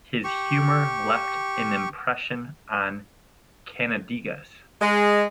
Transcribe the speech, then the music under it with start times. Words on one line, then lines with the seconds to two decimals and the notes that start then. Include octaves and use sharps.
His humor left an impression on Kannadigas.
0.24 G4 C#6
4.82 G#3